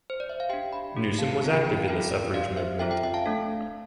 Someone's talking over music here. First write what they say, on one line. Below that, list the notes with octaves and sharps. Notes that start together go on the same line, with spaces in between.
Newsom was active in the suffrage movement.
C5
D5
E5
F5
D4 G4 E5 G5
G5 B5
A3 D4 G4
F5 A5
B3 D4 F4 A4 F5 A5
G5 B5
G5 B5
F5 A5
C4 F4 A4 E5 G5
D5 F5
D4 G4 D5 F5
C5 E5
C4 F4 A4 E5 G5
E5 G5
E5 G5
F5 A5
A3 D4 A4